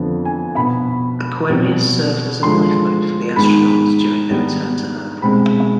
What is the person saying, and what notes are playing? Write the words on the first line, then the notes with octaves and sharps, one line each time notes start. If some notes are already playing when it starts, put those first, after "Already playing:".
"Aquarius" served as a "lifeboat" for the astronauts during their return to Earth.
Already playing: F2 D3 F3 B3
G#5
B2 B3 B5
B2 G3 C4
D3 F3 G#3 C6
G#2 D#3 G#3 B3 B5
G#2 D#3 G3 B3
B2 G#3 C4 B5